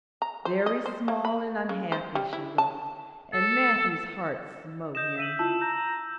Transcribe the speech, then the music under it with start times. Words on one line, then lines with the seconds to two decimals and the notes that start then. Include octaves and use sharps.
Very small and unhappy she looked, and Matthew's heart smote him.
0.22 A#5
0.45 C5
0.66 D#5
0.86 C5
1.08 A#3
1.25 B5
1.69 C#3
1.92 C5
2.15 G3
2.33 E4
2.58 A5
3.33 A4
4.95 D#5 G6 E7
5.18 E5 B6 D#7 F#7
5.39 E4 F4 A5 E6
5.61 A#5 G6